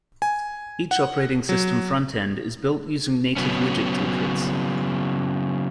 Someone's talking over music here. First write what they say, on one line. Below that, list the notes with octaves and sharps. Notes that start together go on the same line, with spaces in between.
Each operating system front-end is built using native widget toolkits.
G#5
F#5
F#3
C#3 F#3 B3 C#4